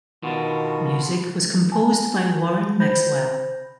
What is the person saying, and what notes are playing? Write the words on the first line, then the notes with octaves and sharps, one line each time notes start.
Music was composed by Warren Maxwell.
B2 D3 D#3 B3 F4 F#4
G#5 A5
C5 B5 G6 A#6